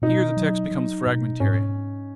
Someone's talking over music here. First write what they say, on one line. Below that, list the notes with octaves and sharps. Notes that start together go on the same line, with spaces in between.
Here the text becomes fragmentary.
B2 D#4
F#3
F#3
B2
G#2 C#4